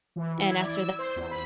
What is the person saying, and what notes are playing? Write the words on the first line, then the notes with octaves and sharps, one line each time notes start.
and after
E3
E4
G#6
D5
E6
C5
E2
B5